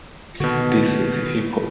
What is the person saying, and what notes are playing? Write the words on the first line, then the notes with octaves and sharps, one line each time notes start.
This is hip-hop!
B2 D3 D#3 F#4